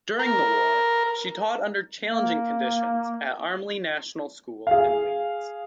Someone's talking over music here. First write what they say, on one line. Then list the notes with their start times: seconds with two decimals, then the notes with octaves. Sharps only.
During the war she taught under challenging conditions at Armley National School in Leeds.
0.19 A#4
2.04 A#3
4.67 G#4 F5